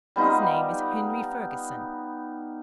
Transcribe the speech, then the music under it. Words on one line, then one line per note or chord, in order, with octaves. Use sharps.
His name is Henry Ferguson.
G3 B3 D#4 F4